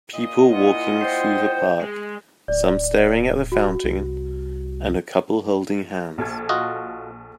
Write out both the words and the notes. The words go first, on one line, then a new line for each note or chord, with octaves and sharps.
People walking through the park some staring at the fountain, and a couple holding hands.
A#2 D#5
E4 F4 F#5
C5 G5
G#3
D1 D5
F#4
C2
A#1 A4 G#6
F4 F#4 D#5